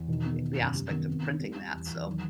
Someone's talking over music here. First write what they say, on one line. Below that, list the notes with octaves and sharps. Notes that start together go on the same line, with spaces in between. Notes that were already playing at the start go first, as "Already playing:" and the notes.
we we aspect of printing that, so
Already playing: E2
B2 D#3
B3
D#3
F#2
C3 G3
D#3 B3
C4
C4
G3
G3
E2
E2
D#3 F#3